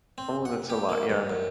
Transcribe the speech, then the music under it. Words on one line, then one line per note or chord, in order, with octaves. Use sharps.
Ooh, that's a lot, yeah.
C4
F#5
G4
A#3
G2
F#2